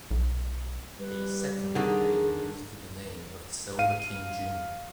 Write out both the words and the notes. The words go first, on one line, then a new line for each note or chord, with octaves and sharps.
A second player used the name of Silver King Jr.
B1
G3 B4
D3 D#3 G#4
F5 D#7